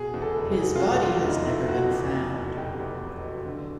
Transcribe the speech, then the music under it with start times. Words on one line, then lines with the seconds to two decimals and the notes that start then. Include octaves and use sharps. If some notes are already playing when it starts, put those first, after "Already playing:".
His body has never been found.
Already playing: B2 G#4
0.14 E2
0.22 A4
0.36 F1
0.51 G#4
0.59 F#3
0.76 F4
0.80 B2 F#4
1.03 E2 F4
1.24 F1 D#4
1.47 F#3 E4
1.68 B2 F#4
1.91 E2
2.13 F1
2.34 F#3
2.57 B2 G4
2.79 E2
3.01 F1
3.23 F#3
3.45 D3